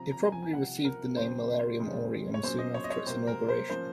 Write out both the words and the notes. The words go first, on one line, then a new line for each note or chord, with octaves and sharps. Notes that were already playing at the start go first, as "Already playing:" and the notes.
It probably received the name "Milliarium Aureum" soon after its inauguration.
Already playing: C3 F3 C4 A#5
A#5
G#5
G#5
C2 C3 F3 F#5
A#4
D#2 C#3 F#3 C4 C5
F2 C#3 G#3 C#4
C#5
A#2 F#3 C#4 C5
D#5
C#5
D#5
C#5
C3 F#3 A#3 C5
A#4
C5
F3 A#3 C#4 C5